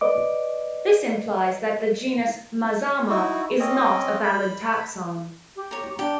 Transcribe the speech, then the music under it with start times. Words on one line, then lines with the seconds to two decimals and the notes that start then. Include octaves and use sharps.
This implies that the genus "Mazama" is not a valid taxon.
0.01 B4 D5 D#5 D6
3.09 D#4 E4 F#4
3.59 C4 C#4 D#5
4.23 B5
5.56 G4
5.71 C#5 A#5
5.99 D4 G4